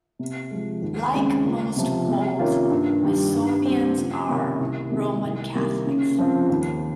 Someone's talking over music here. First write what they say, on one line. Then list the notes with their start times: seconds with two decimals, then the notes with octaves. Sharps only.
Like most Poles, Masovians are Roman Catholics.
0.19 C3
0.51 F3 G#3
0.82 D#2
1.13 C#3 G#3 C4
1.45 C#2
1.77 C3 F3
2.08 C3
2.39 D#3 A#3 C#4 F4
2.71 G2
3.03 D#3 G3
3.34 G2
3.66 G3 C4
3.98 C#2
4.29 C3 D#3 A#3 C#4
4.60 C2
4.92 C3 D#3 G#3 D#4
5.24 C2
5.55 C3 D#3 G3 A#3
5.87 C#3
6.18 F3 C4 F4
6.50 D#2